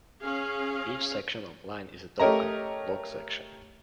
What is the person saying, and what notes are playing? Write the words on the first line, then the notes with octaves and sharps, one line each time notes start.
Each section of line is a token "block section".
C#4 G#4 F5
A3 G4 A#4 C#5 D#5 A#5